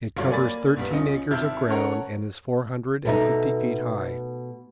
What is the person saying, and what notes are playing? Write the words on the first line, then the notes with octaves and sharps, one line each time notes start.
It covers thirteen acres of ground and is four hundred and fifty feet high.
D2 G2 F#3 F4 C#5 D5
A#3 D5 G#5 B5 A6
C2 G2 G3 B3
C#2 C#4 D#5
G#1 C3 E4 A5 F6 G6
C#4 A4 A#4 C#5 F#5 A#5
B2 A3 D#4